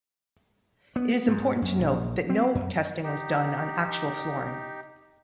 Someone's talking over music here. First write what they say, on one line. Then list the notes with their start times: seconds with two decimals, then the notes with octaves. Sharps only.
It is important to note that no testing was done on actual flooring.
0.96 B3
1.28 G#2
1.62 F#2
1.79 A#1
2.29 C4
2.55 F#2
3.04 D#4 G4